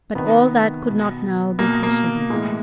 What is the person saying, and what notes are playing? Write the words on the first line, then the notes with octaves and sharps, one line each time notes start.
But all that could not now be considered.
C3 D#3 B3
B2
B2 A#3
A#3
A2 E3 G#3